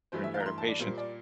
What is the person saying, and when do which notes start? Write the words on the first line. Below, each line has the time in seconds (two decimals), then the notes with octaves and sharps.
prepare the patients.
0.12 G2 E3 A3 C5
0.24 E5
0.34 F5
0.40 A#5
0.46 C6
0.58 A5
0.68 D5
0.80 A#2 G3 A#3 C5
0.98 D5